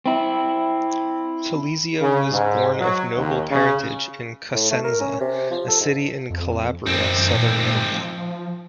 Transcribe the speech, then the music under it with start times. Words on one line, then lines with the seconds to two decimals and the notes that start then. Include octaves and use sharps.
Telesio was born of noble parentage in Cosenza, a city in Calabria, Southern Italy.
0.06 C4 E4
2.00 C#3
2.31 G#2
2.79 F#3
3.16 D#2
3.50 C#3
4.54 A2
4.71 A3
4.84 A#4
5.01 C#4
5.20 C3
5.51 F3
5.68 A4
5.81 G#2
6.30 F2
6.87 F#2 C4 D#4
7.35 A#2
7.93 F3